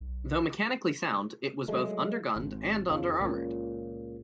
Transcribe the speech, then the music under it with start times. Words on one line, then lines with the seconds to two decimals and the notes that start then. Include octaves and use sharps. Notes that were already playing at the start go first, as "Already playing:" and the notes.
Though mechanically sound, it was both under-gunned and under-armoured.
0.01 B1
1.68 F#3 G#3 A3
2.36 G#1
2.90 E2 C#3 F3
3.20 C#2 A#2 C#3